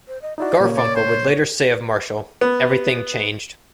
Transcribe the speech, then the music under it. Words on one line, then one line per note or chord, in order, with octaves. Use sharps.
Garfunkel would later say of Marshall, Everything changed.
C5
D#5
D#4 E4 F#4 D5
A#2 C#3 A#3 C#5
D5
C5
B3